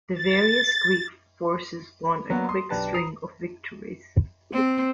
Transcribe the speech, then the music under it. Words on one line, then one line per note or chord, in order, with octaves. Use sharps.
The various Greek forces won a quick string of victories.
A6
F#3 A#3 B3 D4 F#4
C6 D#6
B1 D4 G4 B4 A5
A#5 D#6 C7 F7
C4